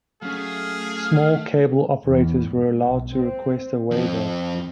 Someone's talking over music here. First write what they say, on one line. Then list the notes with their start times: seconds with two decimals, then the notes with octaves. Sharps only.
Small cable operators were allowed to request a waiver.
0.22 F#3 A3 C#4 G#4 F5
2.03 E2
2.47 G#2
2.85 B1
3.16 C4
3.91 F2 C4